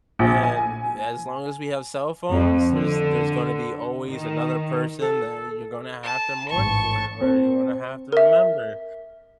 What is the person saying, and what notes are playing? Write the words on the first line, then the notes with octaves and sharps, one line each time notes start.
And as long as we have cell phones, there's there's gonna be always another person that you're gonna have to mourn for, or you're gonna have to remember.
A#1
G#5
F2
D3
D#3
A4
A5
A1 G#2 A5 C#6
C4
A#4 E5